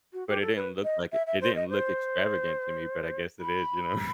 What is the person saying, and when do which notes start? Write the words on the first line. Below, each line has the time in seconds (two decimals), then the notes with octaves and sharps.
but it didn't look like it it didn't look extravagant to me, but I guess it is, you know?
0.13 F#4
0.27 G4
0.41 A4
0.56 B4
0.84 D#5
1.12 E5
1.27 E5
1.41 C5
1.55 D#5
1.69 C5
3.40 B5